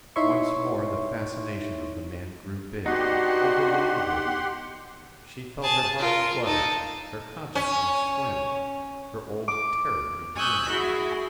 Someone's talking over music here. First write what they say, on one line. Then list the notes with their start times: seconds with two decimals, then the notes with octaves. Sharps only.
Once more the fascination of the man grew big, overwhelmed her. She felt her heart flutter, her consciousness swim, her old terror returning.
0.16 D#4 E4 C#5 E5 C6 C#6
2.86 B3 D4 D#4 F#4 G4 F#5 C6
5.63 G#4 A5
5.98 F4 A#4
6.45 D#4 A4
7.55 C#4 C#5
9.48 D6
10.37 G#5 C#6 D#6 E6 F#6 G6
10.70 E4 F#4 G#4